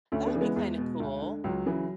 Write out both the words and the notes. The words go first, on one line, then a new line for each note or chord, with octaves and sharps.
That would be kinda cool.
D2 A3 C#4
B3 D4
C#3 E3
G#3 B3
E2 G#3
B2
D2
D3
C#2 F#3
C#3 E3